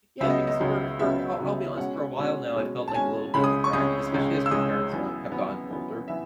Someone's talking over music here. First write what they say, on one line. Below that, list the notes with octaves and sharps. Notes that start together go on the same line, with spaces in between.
Yeah, because for for, I'll I'll be honest, for a while now, I felt like a little bit of a drag, especially as my parents are have gotten older.
C#2 C#3 F#3 B3 E5
D#5
D#5
C#2 C#3 F#3 B3
C#2 C#3 F#3 B3 E5
C#2 C#3 F#3 B3
B2 G#3 C#4 F#5
B2 G#3 C#4
B2 G#3 C#4
A5
B2 G#3 C#4 G#5
C#2 C#3 G#3 C#4 B5
D#6
C#6
C#2 C#3 G#3 C#4 D#6
C#2 C#3 G#3 C#4
E6
C#2 C#3 G#3 C#4 D#6
F#2 E3 B3
F#2 E3 B3
F#2 E3 B3
E3 B3 E5